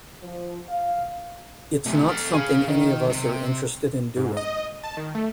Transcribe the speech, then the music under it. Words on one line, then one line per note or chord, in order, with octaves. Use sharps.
It's not something any of us are interested in doing.
F3
F5
C3 A3
A4 F5
G#4 F5
D#3
C3
G#2
D#5
A5
D#3
A3